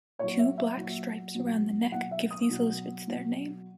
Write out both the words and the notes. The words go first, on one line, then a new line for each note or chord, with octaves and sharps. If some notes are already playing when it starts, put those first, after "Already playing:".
Two black stripes around the neck give these lizards their name.
A#2 F#3 C#5
E5
E5
A#2 F#3
B2 F#3
B2 F#3 F#5
E5
D#6
B2 F#3
B2 F#3